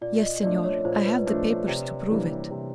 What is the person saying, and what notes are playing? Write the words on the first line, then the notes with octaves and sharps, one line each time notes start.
"Yes, Senor; I have the papers to prove it."
A#2 D5
D#5
F3 A3 D4 D5
C#5
A#2 C5
B4
F3 A3 D4 D5
D5
C3
E3 G3 A#3 D4
C3